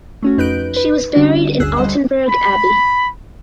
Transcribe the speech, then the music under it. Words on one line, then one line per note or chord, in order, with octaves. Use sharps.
She was buried in Altenberg Abbey.
A3 C#4 F#4
F2 D#4 B4 F#6 G6 D7
B4
D3 G3 C#4 D4 F#4
G1 D2 G#4 E6 F#6
G3 A3 C5 D#5 F#5
B5